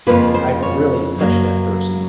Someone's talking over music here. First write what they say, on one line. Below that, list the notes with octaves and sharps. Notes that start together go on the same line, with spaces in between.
I've really touched that person.
F2 C#3 F3 A#3 B4
C5
C#5
F#2 C#3 F#3 A#3